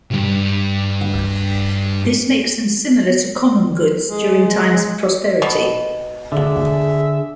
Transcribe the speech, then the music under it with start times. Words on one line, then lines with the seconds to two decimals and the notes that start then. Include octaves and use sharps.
This makes them similar to common goods during times of prosperity.
0.11 B1 G2
4.08 G#3
5.42 B2
6.32 D3 G#4 E5